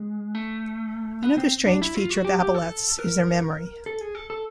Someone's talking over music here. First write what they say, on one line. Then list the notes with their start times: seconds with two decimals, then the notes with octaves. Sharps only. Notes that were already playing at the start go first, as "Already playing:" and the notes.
Another strange feature of aboleths is their memory.
Already playing: G#3
0.35 A3
1.23 B3
1.38 C4
1.66 D4
1.82 E4
1.95 F4
2.10 F#4
2.25 G4
2.39 G4
2.54 A4
2.99 A#4
3.86 A4
4.01 G#4
4.15 A4
4.30 A4